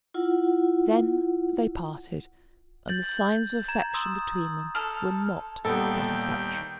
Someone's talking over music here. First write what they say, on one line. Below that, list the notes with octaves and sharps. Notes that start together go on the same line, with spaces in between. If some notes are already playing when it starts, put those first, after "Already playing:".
Then they parted, and the signs of affection between them were not satisfactory.
E4 F4 F#5
G6 A6 F#7
A#5 G#6 E7
C6 D#6 E6
A4 F6
D#2 A#2 G3 B3 D#4 A4 G5